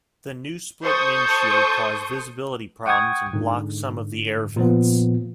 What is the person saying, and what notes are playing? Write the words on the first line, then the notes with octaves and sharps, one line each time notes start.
The new split windshield caused visibility problems and blocked some of the air vents.
A4 C5 C#6 D#6 G6
F#5 G5 C#6 D#6 G#6
G#2 D3
A#2 F3 B3